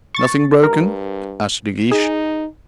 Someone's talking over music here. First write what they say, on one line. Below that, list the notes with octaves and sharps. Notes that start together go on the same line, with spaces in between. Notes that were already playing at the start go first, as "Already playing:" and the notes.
"Nothing broken?" asked De Guiche.
C#6 A6
G2 A#4
D#4 G#4